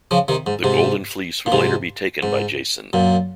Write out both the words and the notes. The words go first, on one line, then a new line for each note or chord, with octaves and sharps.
The Golden Fleece would later be taken by Jason.
C#3 F3
C3 D#3
G#2
G#2 C3
A#2
G#2 C3
G#2
F#2 A#2